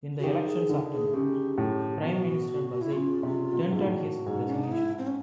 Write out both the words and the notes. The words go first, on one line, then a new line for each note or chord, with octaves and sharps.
In the election's aftermath, Prime Minister Buzek tendered his resignation.
F#4
D#3 G4
G#4
D3
G#4
C#3 G4
A2
B2 F#4
E4
C#3 F4
C3
B2
G#2 F4
A2 F#4
G#2
C#4
D4
D#4
E4
C4
C#4